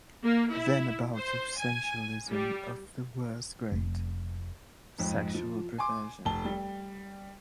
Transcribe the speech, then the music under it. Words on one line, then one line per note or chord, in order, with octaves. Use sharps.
Then a bout of sensualism of the worst grade, sexual perversion.
A#3
E4
C5
G#5
G3
F1
F2 G#2
F3
G#5 C6 D6
F1 A5 G7
G3